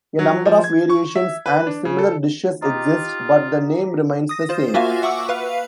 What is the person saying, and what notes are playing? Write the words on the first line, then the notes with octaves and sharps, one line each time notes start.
A number of variations and similar dishes exist, but the name remains the same.
F#3
F3
G#6
C#6
E5
B4
D4
C#3
A4
D#4 F4 G4
D#6 A#6
F4 C5
A#3 F4 F#4 E5 F5 G#5
E5 F#5 C#6 D6 E6
B4 F5